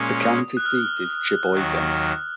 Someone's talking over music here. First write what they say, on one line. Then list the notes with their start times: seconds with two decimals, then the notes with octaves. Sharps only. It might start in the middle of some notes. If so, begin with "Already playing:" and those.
The county seat is Cheboygan.
Already playing: A#2 G#3 C#4 D#6
0.57 F#6
0.65 F6
1.52 D#2 D#3 F#3